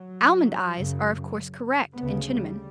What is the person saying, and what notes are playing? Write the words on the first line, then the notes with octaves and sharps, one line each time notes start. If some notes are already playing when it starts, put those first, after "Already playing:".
Almond eyes are of course correct in Chinamen.
Already playing: F#3
F#2 C#3
D2 C#3 B3
G3